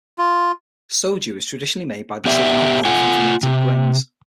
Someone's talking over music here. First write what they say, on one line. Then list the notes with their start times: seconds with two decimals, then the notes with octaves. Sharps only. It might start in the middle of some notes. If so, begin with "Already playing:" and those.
Soju is traditionally made by distilling alcohol from fermented grains.
0.18 F4
2.26 B3 G4 D5 E5
2.85 F4 F#5 G#5
3.43 C3